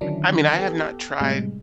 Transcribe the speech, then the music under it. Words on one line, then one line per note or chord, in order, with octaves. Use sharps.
I mean, I have not tried
D3 D#3 F#3 C#4 D4 E4
B3 G4 A4
A2 C3 G3 G#3